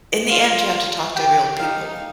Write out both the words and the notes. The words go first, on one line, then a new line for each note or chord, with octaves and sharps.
in the end, you have to talk to real people.
F4 F5
G4 G5
D#4 F5